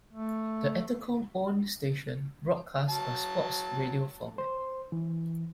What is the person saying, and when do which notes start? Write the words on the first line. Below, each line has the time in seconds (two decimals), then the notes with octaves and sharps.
The Entercom-owned station broadcasts a sports radio format.
0.13 A3
2.89 F#3 A5
4.38 C5
4.92 E3